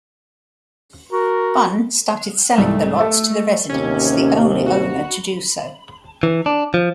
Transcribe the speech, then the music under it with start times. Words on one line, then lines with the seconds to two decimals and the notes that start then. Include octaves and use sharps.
Bunn started selling the lots to the residents, the only owner to do so.
1.12 F#4 A#4
2.58 C2 G#2 A3
2.99 A4 E5
3.69 A1 D#2 C3 C#4
4.66 F#4
6.23 E3
6.46 D4
6.74 F3